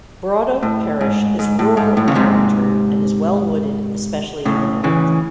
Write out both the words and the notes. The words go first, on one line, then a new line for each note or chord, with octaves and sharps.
Broadoak parish is rural in character and is well wooded, especially in the north.
A2
G#2
G#2
A2
G#2
A2
C#3
G#2 C3
A2 C#3
C#3 E3